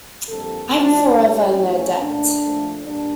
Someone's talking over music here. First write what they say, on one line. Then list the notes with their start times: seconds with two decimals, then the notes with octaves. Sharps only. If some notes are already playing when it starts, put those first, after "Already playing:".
I'm forever in their debt.
0.28 F2 D3 G3 A#3 A4
0.71 D2 D3 F3 D4
1.14 A2 G3 A#3 C#4
1.56 E2 E3 A3 C#4
1.99 A#2 A3 D4
2.42 A#2 F3 A3
2.84 A#2 G3 D4